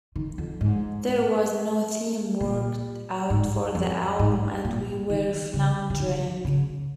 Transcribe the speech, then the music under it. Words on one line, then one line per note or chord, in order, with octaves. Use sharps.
There was no theme worked out for the album and we were floundering.
D#3
F2
G#2
A#2
G#2
F2
G#2
A#2
D#3
C#3
C#3
D#3
C#3